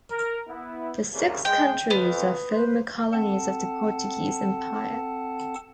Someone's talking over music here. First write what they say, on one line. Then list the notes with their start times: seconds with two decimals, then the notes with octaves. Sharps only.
The six countries are former colonies of the Portuguese Empire.
0.10 A#4
0.48 B3 E4
1.12 C2 C#3 A#3
1.45 G#3 G5
1.90 F2 B3
2.49 B4 C5
3.13 C4 A4 F#5 A5